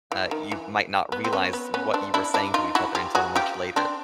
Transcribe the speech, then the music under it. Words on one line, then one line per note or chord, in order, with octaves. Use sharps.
uh, you might not realize what you were saying to each other until much later.
E3
D#3
E3
B3
C4
B3 C#4
B3
B3 C#4
C4 D4
D4 E4
D4 E4
D#4 F4
E4 F#4
F4 G4
F#4 G#4
F4 G4
C4 D4